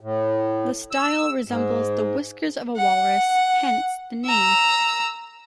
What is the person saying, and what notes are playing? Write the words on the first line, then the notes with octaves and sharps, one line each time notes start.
The style resembles the whiskers of a walrus, hence the name.
A2
E6
G#2
F#5
A#5 E6